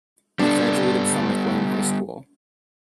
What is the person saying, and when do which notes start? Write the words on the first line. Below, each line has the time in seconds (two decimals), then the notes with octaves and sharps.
He graduated from McLane High School.
0.39 G3 B3 D4 A4